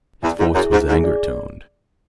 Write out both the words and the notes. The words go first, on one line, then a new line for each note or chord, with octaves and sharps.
His voice was anger-toned.
E2 E3 D5
G#2 E4
F#2 G#4
G#2 E4
G#2 G#4
D5